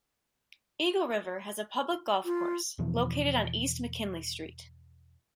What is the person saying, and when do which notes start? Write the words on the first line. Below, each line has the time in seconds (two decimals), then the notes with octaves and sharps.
Eagle River has a public golf course, located on East McKinley Street.
2.25 F4
2.78 E2 B2 E3 F3